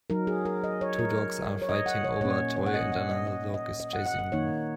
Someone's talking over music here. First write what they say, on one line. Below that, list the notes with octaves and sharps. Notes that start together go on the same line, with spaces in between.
Two dogs are fighting over a toy and another dog is chasing them.
F#3 D#4 A#4
G#4
A#4
D#5
C#5
A#4
C#5
D#5
F#5
C#5
A#2 A#3 C#4 C#5
C#5
F#5
D#5
F#5
D#5
D#5
D#5
D#5
F#5
F#5
F#5
D#3 A#3 D#4 C#5